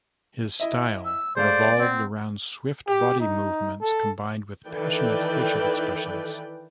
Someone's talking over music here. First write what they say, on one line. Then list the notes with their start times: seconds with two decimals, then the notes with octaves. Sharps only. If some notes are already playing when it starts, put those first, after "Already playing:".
His style revolved around swift body movements combined with passionate facial expressions.
0.60 E4 D#5 E5
1.05 E6
1.36 G#3 A3 C5 D5 F5
1.80 C4 F#5
2.88 G4
3.20 D#4
3.81 A4
4.67 D#3 E3 A4 B4 D5 G5